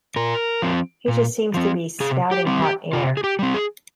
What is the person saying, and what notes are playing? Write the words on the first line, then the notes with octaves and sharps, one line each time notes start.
He just seems to be spouting hot air.
A#2 A#4
F3 C4
A#2
F3 C4
C3 G#4
G4
G3 C4
G4
C3 F4
G#4
G4
G3 C4
G#4